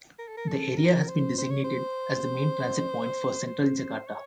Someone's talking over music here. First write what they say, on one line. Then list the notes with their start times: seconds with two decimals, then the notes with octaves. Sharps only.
The area has been designated as the main transit point for Central Jakarta.
0.19 A#4
0.28 A4
0.37 A#4
0.48 A4
0.78 A#4
1.08 C5
1.38 C5
1.51 C#5
1.64 C5
3.47 C5
3.77 C5
4.07 C#5